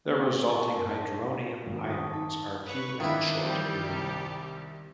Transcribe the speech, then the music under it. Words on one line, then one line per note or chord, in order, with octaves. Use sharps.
The resulting hydronium ions are few and short-lived.
A3 B3 C#4
D#5 A5 C#6
A#4
A5
G#1
A5 C#6 D#6
D#3
A5
B4 C#5 C#6
D#3 D4 E4 F4
E3 F3 G3 C4 G4
C2